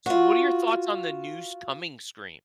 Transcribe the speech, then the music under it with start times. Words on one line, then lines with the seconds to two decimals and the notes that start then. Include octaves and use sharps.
So, what are your thoughts on the new s coming Scream?
0.06 F4 F#4